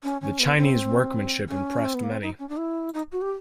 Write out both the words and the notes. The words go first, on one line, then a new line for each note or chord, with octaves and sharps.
The Chinese workmanship impressed many.
C#4
C#4
B3
C4
C#4
C4
B3
A#3
C4
D#4
C#4
D4
E4
D#4
F#4
G4